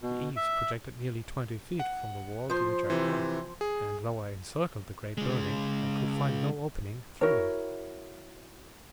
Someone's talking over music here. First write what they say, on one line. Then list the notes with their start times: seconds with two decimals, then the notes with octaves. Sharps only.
The eaves projected nearly twenty feet from the wall to which I clung, and though I encircled the great building I could find no opening through them.
0.02 B2
0.36 E5
1.80 F#5
2.50 F3 C5
2.90 C3 E3
3.61 G#4
5.18 C#3 G#3
7.21 E4 F#4 A#4 C#5